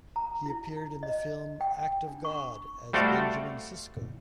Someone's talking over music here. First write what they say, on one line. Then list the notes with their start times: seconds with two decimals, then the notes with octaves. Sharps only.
He appeared in the film "Act of God" as Benjamin Cisco.
0.16 A#5
0.46 E4
1.03 D#5
1.61 G5
2.08 D4
2.25 C#6
2.93 G3 A3 F#4 C5 D5 F5